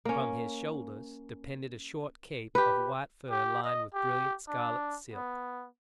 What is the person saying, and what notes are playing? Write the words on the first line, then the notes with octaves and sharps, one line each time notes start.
From his shoulders depended a short cape of white fur lined with brilliant scarlet silk.
A#3 C#4
G4 B4
G4
D#5
G4
D4
B3